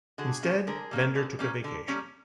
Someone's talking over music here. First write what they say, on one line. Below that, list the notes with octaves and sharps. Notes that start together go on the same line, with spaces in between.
Instead Bender took a vacation.
D3 F#4 G#4
G3 A#3 C#4
D3 G#4 A#4
G3 A#3 C#4
D3
G3 A#3 C#4
D3
G3 A#3 C#4